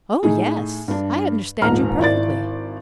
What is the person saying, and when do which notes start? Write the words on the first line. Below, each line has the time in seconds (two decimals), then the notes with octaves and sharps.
"Oh! yes--I understand you perfectly."
0.23 A2 D#4 G#4
0.88 G2 D4
1.62 D#1 A#1 G#2 A#5 F6
1.99 G#1 E4 D5 A6